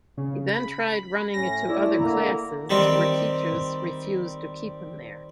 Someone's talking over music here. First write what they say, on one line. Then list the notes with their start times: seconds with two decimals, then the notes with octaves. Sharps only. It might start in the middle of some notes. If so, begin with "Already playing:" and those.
He then tried running into other classes were teachers refused to keep him there.
0.17 C#3
0.54 B5
1.34 A2 C#4 A#6
1.69 A3 E4 D5
1.99 D3 A#3 A#5
2.70 D#3 G3 C4